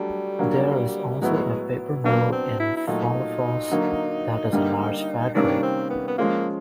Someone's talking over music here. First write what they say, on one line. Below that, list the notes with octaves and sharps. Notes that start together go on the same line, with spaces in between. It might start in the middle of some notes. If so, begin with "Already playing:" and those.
There is also a paper mill in Follafoss that is a large factory.
Already playing: F#3 G3 A3 D4
D3 F#3 A#3
A2 F#3 G#3 B3 E4
F#3 A#3 B3 D4
C4
E4
E4
A#2 F#3 A3 D#4
D3 F#3 A#3
D3 G3 A#3
C3 D#3 G3 A#3 C#4 D4
C4
B3
B3
F3 G#3 A#3 C#4 F4